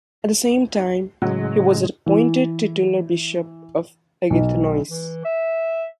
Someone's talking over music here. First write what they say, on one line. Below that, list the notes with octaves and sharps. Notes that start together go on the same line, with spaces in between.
At the same time, he was appointed Titular Bishop of Agathonice.
A2 C#3 F#3 G#3
E3
B1
E3
E5